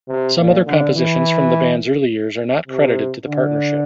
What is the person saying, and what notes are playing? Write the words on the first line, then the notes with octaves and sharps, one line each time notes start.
Some other compositions from the band's early years are not credited to the partnership.
C3
A#2
D3
E3
C3
D3